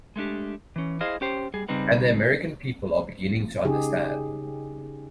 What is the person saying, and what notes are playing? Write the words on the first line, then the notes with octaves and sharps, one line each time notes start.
And the American people are beginning to understand.
G#3 A3 D4 G4
E3 C#4
E4 G#4 C5 D#5 F5
C#4 G4 C5
G3 G#4
C#3 G3 C4 D#4 B4
C#3 D#4 G4 G#4